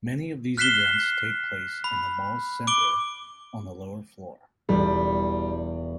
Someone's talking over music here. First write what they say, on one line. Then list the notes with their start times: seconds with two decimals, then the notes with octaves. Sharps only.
Many of these events take place in the mall's center on the lower floor.
0.57 F6 F#6 B6 C7 E7 G7
1.84 B5
2.67 D6 D7 G7
4.69 E1 G3